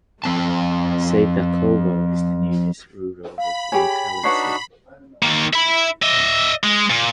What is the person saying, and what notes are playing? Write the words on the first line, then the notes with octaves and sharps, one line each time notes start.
Seytakovo is the nearest rural locality.
F3 C4 A5
F5 B5
G4 G#4 C#5 G5 G#5
D4 D#4 F#4 B4 C#5 F#5 C7
D#3 A#3
E5 B5
D#5 E5
G#3
A#2